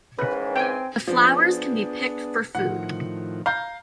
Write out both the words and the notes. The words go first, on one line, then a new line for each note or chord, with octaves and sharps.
The flowers can be picked for food.
G#2 D#3 E3 C#4 B4
C4 G5 G#5
F3 B3 D4 G#4
A2 D#3 F3 F#5
F5 A#5 G6